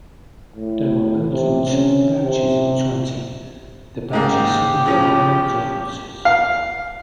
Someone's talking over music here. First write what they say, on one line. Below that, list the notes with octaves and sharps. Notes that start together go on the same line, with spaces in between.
They were built in two batches of twenty, the batches having minor differences.
A2
C3
C#4
C3
G#2 C#3 A#3 G4
C#3 F3 C#4
F5